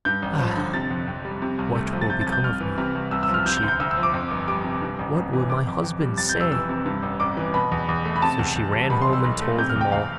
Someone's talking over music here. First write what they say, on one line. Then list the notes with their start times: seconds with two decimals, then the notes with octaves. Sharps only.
'Ah! what will become of me?' said she; 'what will my husband say?' So she ran home and told him all.
0.05 G2 G6
0.22 A1
0.39 F3
0.57 D3
0.73 C3 A6
0.91 F2
1.08 F2
1.25 G3
1.42 C3
1.58 C2
1.75 A3
1.93 F3
2.01 A6
2.10 C3 G6
2.21 A6
2.26 C2
2.32 G6
2.44 C2 F6
2.60 E3
2.78 C3
2.95 C2
3.11 C2 E6
3.23 E6
3.29 F3
3.34 F6
3.46 C3 G6
3.57 G6
3.63 D2
3.68 G6
3.80 D2 E6
3.91 E6
3.97 F3
4.03 D6
4.14 F2
4.31 G1
4.48 G3 D6
4.64 C3
4.82 G2
4.99 A1
5.16 A1
5.33 E3
5.50 C3 D6
5.67 F2
5.84 F2
6.01 G3
6.18 F2 A6
6.29 G6
6.35 F1
6.41 E6
6.52 E3 E6
6.69 C3
6.86 G2
7.03 A1
7.20 A1 D6
7.37 E3
7.54 B2 B5
7.71 E2
7.88 E2
8.05 A3
8.16 B5
8.22 C3 A5
8.39 E2
8.56 E2
8.73 G3
8.90 B2 B5
9.02 C6
9.07 B1
9.13 E6
9.24 B1
9.42 A3
9.58 C3 G6
9.69 F6
9.75 E2
9.81 G5
9.92 E2 F5